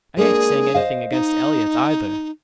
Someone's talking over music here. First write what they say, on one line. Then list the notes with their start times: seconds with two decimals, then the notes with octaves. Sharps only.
I ain't saying anything against Elliott, either.
0.17 G#3 A#3 D4 G#4
0.74 C5 D#5 F5
1.11 D#4